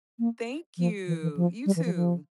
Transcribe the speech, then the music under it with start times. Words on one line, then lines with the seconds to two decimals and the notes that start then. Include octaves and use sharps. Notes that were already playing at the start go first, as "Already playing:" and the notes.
Thank you! You too.
0.19 A#3
0.78 F3
1.07 E3
1.22 E3
1.37 F3
1.66 G3
1.76 E3
1.85 F3
1.95 F3